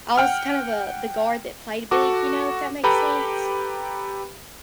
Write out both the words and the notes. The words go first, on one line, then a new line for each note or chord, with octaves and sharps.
I was kind of a the guard that played big, you know, if that makes sense?
F#5 G5 F6
F#4 A4 D6
G4 A4 B4 G5 A#5 B5